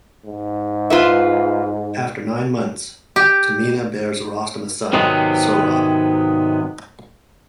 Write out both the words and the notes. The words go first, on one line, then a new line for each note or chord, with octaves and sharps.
After nine months, Tahmina bears Rostam a son, Sohrab.
G#2
F4 B4 E5
G4
G#2 C3 D#3 F#3 G#3 B3